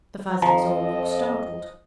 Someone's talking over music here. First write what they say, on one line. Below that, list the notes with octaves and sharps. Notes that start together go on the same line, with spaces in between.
The Fuzzies all looked startled.
F2 F3 D#5 A5 A#5